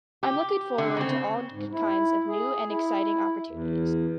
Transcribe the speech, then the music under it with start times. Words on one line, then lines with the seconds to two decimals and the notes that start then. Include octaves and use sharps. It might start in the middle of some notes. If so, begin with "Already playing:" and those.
I'm looking forward to all kinds of new and exciting opportunities.
0.23 G4
0.78 D3
0.96 C#3 C4
1.51 G#2
1.72 E4
2.28 G#4
2.70 E4
3.50 E2